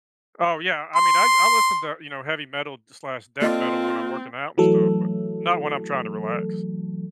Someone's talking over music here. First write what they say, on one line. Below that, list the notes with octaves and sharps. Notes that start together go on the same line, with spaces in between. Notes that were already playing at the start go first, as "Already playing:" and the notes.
Oh, yeah. I mean, I d I listen to, you know, heavy metal, d slash death metal when I'm working out and stuff, but not when I'm trying to relax.
C6
A#3 C4 F4 A4 D5 D#5
E3 F#3 A3 A4